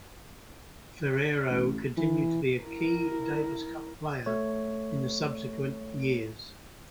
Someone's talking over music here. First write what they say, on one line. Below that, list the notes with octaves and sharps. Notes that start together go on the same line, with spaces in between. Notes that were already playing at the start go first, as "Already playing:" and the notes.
Ferrero continued to be a key Davis Cup player in subsequent years.
A1
E3
E4 A#4
A3 C#5